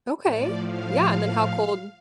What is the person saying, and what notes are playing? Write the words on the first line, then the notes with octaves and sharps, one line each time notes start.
Okay. Yeah. And then how cold
A2 F3 D5
F5